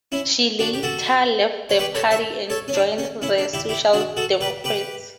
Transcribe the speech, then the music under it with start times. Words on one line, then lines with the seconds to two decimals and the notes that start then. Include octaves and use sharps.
She later left the party and joined the Social Democrats.
0.12 C#4 E4
0.59 D4 F#4
0.73 G4
0.83 F#4 A4
1.69 C#5
1.79 G4 B4
1.95 A4 C#5
2.11 C#5 E5
2.50 A4 C#5
2.68 C#4
2.74 D4
2.98 C#4
3.22 C#4 E4
3.38 D4
3.54 E4 G4
3.69 E4 G4
3.93 D4 F#4
4.17 F#4 A4
4.41 G4 B4
4.64 G4 B4